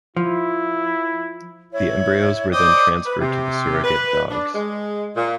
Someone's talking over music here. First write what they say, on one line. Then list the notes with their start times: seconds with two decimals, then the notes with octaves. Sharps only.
The embryos were then transferred to the surrogate dogs.
0.16 F3 E4
1.73 E4 C#5
2.52 C5 D5 D#5 G5
3.05 B4
3.21 C3
3.84 B4
4.29 D4
4.54 G#3
5.16 A#2